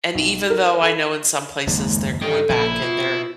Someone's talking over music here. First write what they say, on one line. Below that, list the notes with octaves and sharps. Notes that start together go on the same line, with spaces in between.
and even though I know in some places they're going back and they're
B1
A#4
A4
F#1 D#2 G#2 G#3
G2 D#4 A4 G5
A#1 A#2 C#3 E4
B2 F4